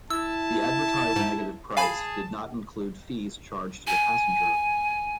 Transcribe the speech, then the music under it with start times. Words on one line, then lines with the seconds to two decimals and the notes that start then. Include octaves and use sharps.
The advertised negative price did not include fees charged to the passenger.
0.10 E4 A5 E6
1.16 G#2
1.77 G#4 F5 G#5 A5 B5
3.87 G#5